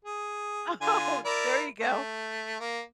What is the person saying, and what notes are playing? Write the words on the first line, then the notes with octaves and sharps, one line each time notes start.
Oh, there you go.
G#4
D3 F4 G#5
E4 A#4 D5
A3
A#3